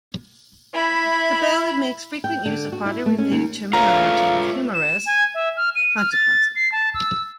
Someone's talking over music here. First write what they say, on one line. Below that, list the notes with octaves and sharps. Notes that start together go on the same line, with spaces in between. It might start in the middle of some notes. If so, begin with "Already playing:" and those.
The ballad makes frequent use of body-related terminology, with humorous consequences.
E4 B5
G5
D3
F#4
E4
A3
C#4
D#2
A3 F4 B4 C#5 F5 A#5
E7
G#5
E5
F6
D#7
F6
A6
C7
A5
E6